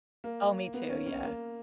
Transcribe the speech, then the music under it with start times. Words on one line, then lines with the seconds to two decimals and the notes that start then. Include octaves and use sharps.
Oh, me too, yeah.
0.24 A#3
0.74 B3
0.90 C#4
1.07 C#4
1.24 A#3